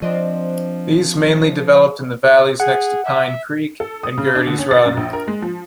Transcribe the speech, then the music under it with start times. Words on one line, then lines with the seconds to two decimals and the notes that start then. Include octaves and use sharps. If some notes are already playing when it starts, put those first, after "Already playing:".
These mainly developed in the valleys next to Pine Creek and Girtys Run.
0.02 F3 C4 D4 D#5
2.60 G#4 F#5
3.05 E5
3.80 A4
4.03 D#6
4.18 C#3
4.35 D4
4.47 D3
4.58 C#4
4.71 A6
4.85 F#2
4.97 A#1
5.13 A#4
5.28 G#3
5.42 F3